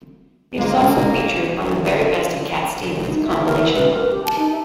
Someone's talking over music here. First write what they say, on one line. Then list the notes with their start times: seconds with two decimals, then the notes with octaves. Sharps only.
It is also featured on "The Very Best of Cat Stevens" compilation album.
0.58 G#3 A#3 F4
3.12 D#4
3.24 E5
3.46 A#4
3.59 E5
3.74 B4
3.91 A#4
4.10 G4
4.24 A5
4.38 D#4
4.51 E5